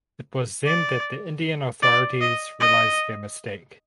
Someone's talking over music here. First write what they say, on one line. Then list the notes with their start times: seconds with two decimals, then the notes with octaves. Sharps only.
It was then that the Indian authorities realised their mistake.
0.66 D5
1.82 D5
2.21 D#5
2.60 D#5